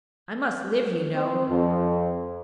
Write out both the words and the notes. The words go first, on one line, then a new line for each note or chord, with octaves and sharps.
I must live, you know!
C4
F2